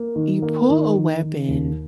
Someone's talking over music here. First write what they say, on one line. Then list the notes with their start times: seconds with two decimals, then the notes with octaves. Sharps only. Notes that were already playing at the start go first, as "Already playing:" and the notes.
You pull a weapon,
Already playing: A#3
0.16 D#3
0.42 A#3
0.70 D#3
0.96 D#3
1.22 D#3
1.49 D#2